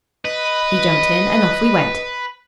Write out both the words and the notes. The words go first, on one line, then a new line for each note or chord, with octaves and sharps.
He jumped in and off we went.
B4 D#5